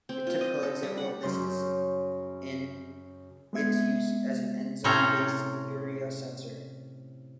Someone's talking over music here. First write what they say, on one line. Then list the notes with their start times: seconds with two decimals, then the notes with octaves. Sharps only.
A typical example of this is in its use as an enzyme-based urea sensor.
0.09 C4
0.27 F4
0.41 D#5
0.63 A4
0.83 G3
0.98 F#5
1.22 F#2 C#3 C#4 C6 G6
3.53 G#3 B3 E5 G#6
4.84 A2 C3 C#4 A4 C5 A#5